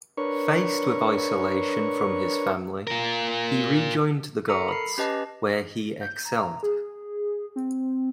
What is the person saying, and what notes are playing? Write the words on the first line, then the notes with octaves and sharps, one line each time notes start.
Faced with isolation from his family, he rejoined the Guards, where he excelled.
D4 A#4 B4 C#5 C#6
F4 A#4
A4 A#4 A#5 C#7
B5 C7
C#4 G4 B4 D#5 A5
G6
A#5
G#4
C4